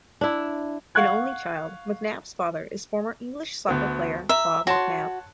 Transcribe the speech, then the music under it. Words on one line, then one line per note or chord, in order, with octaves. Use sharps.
An only child, McNab's father is former English soccer player Bob McNab.
D4 E4
F5 F#5 C#6 F#6 G#6
D2 B3
E5 A#5
F#4 C#5 A5 C6